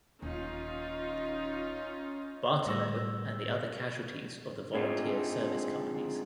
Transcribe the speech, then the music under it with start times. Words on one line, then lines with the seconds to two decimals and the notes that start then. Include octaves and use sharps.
Barttelot and the other casualties of the Volunteer Service Companies.
0.22 D#1 C#4 D#4 F4
2.66 A2 G3 E6 A#6
4.74 G#3 C4 D4 D#4 F4 G4